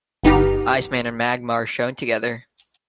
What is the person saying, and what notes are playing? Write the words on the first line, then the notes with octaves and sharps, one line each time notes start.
Iceman and Magma are shown together.
G1 B3 D#4 G4 F6